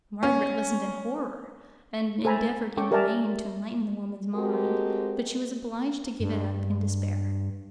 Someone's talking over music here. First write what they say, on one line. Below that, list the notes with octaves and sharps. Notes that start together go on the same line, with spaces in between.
Margaret listened in horror; and endeavoured in vain to enlighten the woman's mind; but she was obliged to give it up in despair.
C#4
A4 C5 G#5 A#5 B5
C#4 A4 G5 C#6 D6
G4 A#4 D5 E5 G#5 A5
G#3 C4 F#4 G4 A4 A#4
G2